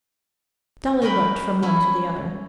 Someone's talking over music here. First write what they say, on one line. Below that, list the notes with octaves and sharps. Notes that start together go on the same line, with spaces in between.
Dolly looked from one to the other.
C#4 D#4 A#4 B4 G5 B5
C#4 E4